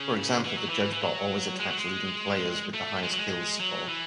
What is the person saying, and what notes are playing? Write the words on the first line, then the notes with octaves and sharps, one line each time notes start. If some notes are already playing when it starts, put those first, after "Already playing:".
For example, the Judge bot always attacks leading players with the highest kills score.
Already playing: C#3
E3
F#3
E3
E3
F#3
G#3
F#3
G#3
A3
G#3
F#3
G#3
F#3
E3